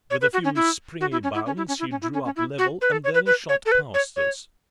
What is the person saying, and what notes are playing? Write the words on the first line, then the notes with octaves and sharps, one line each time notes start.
With a few springy bounds he drew up level, and then shot past us.
C#5
B4
F#4
C#4
E4
F#4
E4
C#4
E4
C#4
E4
C#4
E4
C#4
E4
C#4
C#4
E4
F#4
B4
A4
C#5
B4
B4
C#5
A4
B4
C#5
C#5